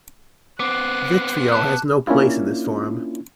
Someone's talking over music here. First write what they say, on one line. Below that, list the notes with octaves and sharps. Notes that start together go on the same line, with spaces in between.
Vitriol has no place in this forum.
B3 C4 D6 F#6
A5 F#6
A#3 C#4 D4 E4 F4